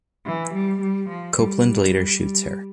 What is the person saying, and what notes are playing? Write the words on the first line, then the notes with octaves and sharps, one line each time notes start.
Copeland later shoots her.
E3
G3
G3
F3
G3
G3
G3
G3